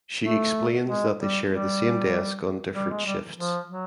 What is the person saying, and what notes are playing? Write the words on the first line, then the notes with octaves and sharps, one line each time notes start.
She explains that they share the same desk on different shifts.
A3
G#3
G3
G3
G3
G#3
G3
F3
F#3